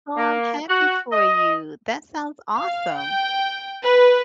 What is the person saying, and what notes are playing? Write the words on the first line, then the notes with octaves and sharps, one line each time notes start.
Oh, I'm happy for you. That sounds awesome.
A#3
F#4
D#5
F5
G5
B4